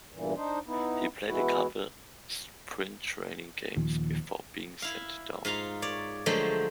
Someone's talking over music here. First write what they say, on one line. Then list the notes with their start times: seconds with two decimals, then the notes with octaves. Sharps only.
He played a couple spring training games before being sent down.
0.12 E2 G2 A#2 E3
0.36 D4 D#4 C5
0.66 B3 D#4 E4
1.27 B2 E3 G#3 E4 F#4
3.76 D#2 A#2 D#3 F3
4.82 E4 F5
5.45 G#2 F4 F5 A#5
5.82 C#5 D5
6.26 D3 F3 F#3 G#3 A3 C5